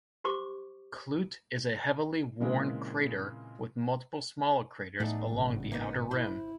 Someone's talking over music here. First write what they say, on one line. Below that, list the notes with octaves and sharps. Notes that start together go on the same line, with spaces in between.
Klute is a heavily worn crater with multiple smaller craters along the outer rim.
F#4 G4 C5 C#6 D6
A#2 C#3 E3 G#3 A#3 C4
E2 A2 A3 D4 D#4 A4
G#1 C#3
A#3 B3 D#4
E4 C5 B5